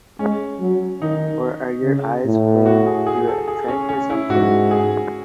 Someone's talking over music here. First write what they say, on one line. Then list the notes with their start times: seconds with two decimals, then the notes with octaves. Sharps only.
Or are your eyes playing you a trick or something?
0.19 G#3 C#4
0.60 F#3
1.02 D#3 D#4
1.83 C#3
2.25 A2
2.66 F#4
2.86 G#4
3.07 G#4
3.28 A4
3.48 G#4
3.68 C#4
3.89 C#4
4.10 E4
4.30 G#2 F#4
4.71 G#4